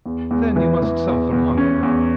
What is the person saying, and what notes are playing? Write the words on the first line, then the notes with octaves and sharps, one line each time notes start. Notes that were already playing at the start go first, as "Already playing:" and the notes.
"Then you must suffer hunger."
E2
E2
E3
E3
E2
E2
C#4
E2